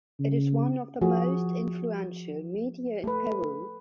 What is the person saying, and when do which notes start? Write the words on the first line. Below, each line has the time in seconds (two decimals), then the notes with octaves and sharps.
It is one of the most influential media in Peru.
0.19 C#3
1.01 F3 F#4 G#4
3.04 A3 B4